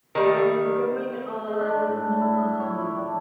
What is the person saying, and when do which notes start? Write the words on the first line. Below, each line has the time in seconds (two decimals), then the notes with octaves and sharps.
Um, we're going on, um
0.15 D#3 G3
1.47 G#3
1.60 D4
1.87 A2
2.21 E4
2.60 C#5
2.78 E4
2.98 D4